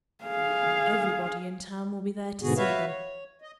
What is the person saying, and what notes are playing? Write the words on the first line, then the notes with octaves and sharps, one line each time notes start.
Everybody in town will be there to see them.
G#4 F5
G#2 B2 D3 B3 F#4 G#4
F#4 B4 C#5 E5 F5
C#5
D#5